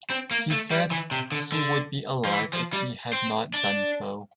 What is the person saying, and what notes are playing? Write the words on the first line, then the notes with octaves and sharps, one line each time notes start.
He said he would be alive if he had not done so.
C4
A#3
A3
G3
E3
C3
D3
D3
F3
E3
F3
G3
C4
D4